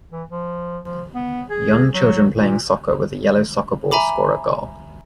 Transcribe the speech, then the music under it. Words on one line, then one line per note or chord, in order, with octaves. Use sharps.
Young children playing soccer with a yellow soccer ball score a goal.
E3
F3
F3
B3
G#4
F#3
A#2
E5 G#5 A#5 B5 D6